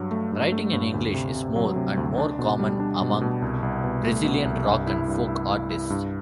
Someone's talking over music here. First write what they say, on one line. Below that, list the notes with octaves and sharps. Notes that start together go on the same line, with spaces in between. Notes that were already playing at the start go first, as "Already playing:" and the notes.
Writing in English is more and more common among Brazilian rock and folk artists.
Already playing: G2 F#3
A3
G2
A3
G2
D2
C3
C3
F#3
C3
D2
D4
B2
G3
D4
B2
B2
C2
C2
B2
A3
B2
C2
G2
E4
G2
E4
E4
E4
G2